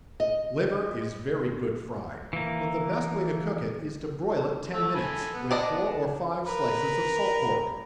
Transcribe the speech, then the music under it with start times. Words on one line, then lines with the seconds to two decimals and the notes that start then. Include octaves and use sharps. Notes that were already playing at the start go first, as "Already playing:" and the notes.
Liver is very good fried, but the best way to cook it, is to broil it ten minutes, with four or five slices of salt pork.
0.20 D#5
2.33 E3 A#3
4.74 A3 E6
4.95 A4 G#5 B5
5.34 B3
5.51 D4 D5 D#5
6.46 A#4 B4